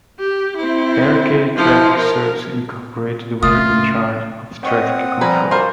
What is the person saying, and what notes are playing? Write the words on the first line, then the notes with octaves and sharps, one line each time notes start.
Barricade Traffic Services Incorporated were in charge of traffic control.
G4
C4 E4
F3 E4
A#4
C#3 A3 F4 D#6
G3 C4 C#5 D#5 F#5 D#6
F3 G3 B4 C5 G#5 A#5
F4 F#4 A#4 C5 D5